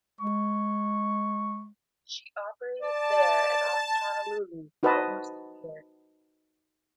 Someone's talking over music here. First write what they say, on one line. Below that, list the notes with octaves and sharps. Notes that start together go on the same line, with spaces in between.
She operated there and off Honolulu for almost a year.
G#3 C#6
D5 A5
D#4 F#4 B4 C5 D#5 A5